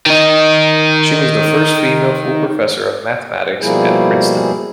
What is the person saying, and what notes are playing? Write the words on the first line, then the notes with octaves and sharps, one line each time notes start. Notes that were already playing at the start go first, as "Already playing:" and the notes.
She was the first female full professor of mathematics at Princeton.
D#3 D#4
B2 F3 G3 A#3 E4 G#4